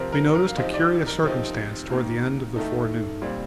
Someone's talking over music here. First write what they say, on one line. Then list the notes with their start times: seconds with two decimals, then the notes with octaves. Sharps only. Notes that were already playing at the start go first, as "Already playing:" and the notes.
We noticed a curious circumstance towards the end of the forenoon.
Already playing: C3 F3 C4 A#4
0.12 A#4
0.35 A#4
0.47 F5
0.57 C3 F3 C4 D#4 D#5
0.74 D5
1.06 A#4
1.23 C3 F3 C4 D#4
1.90 D#3 A#3 D#4
2.56 D#3 A3 D#4 A4
3.22 A#2 G3 C4